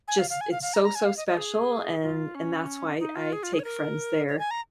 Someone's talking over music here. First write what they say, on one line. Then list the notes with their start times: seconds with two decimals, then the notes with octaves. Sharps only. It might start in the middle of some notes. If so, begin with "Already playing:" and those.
just it's so, so special and and that's why I take friends there.
0.08 G#5
0.19 F5
0.30 F5
0.41 G#5
0.52 F5
0.62 F5
0.74 A#5
0.84 A#5
0.95 G#5
1.05 F5
1.17 D#5
1.27 D#5
1.37 G#4
2.03 F4
2.35 C#4
2.99 D#4
3.15 F4
3.33 G#4
3.43 F4
3.53 G#4
3.59 C#5
3.64 A#4
4.28 C#5
4.39 G#5
4.51 A#5